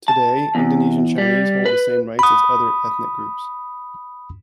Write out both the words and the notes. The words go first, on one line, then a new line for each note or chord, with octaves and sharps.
Today, Indonesian Chinese hold the same rights as other ethnic groups.
A5
E2
G3
B4
B5 D#6